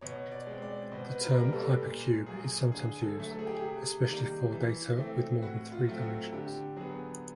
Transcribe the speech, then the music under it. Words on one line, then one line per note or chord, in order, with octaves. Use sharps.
The term hypercube is sometimes used, especially for data with more than three dimensions.
B2 C#5
D5
G#3 C4
D5
B2 C5
B4
A#4
G3 A#3
A4
A#2
F#3 A#3 G#4
D3 G#4
A4
F#3 A3
A4
G#4
G4
G#4
C3
D#3 G3 A#3
E3
A3 C4
A2 F#4
F4
F#3 A3 C4
F#4
D3 G4
F#3 B3 G#4